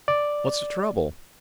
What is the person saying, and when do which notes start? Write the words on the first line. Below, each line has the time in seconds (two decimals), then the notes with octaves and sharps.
"What's the trouble?"
0.08 D5